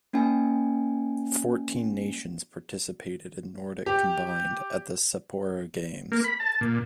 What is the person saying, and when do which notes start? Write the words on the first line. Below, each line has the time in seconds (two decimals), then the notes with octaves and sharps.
Fourteen nations participated in nordic combined at the Sapporo Games.
0.13 A#3 C#4 D#4 G5 G#5
3.86 G4
6.12 A#3
6.24 B5
6.40 A5
6.61 A#2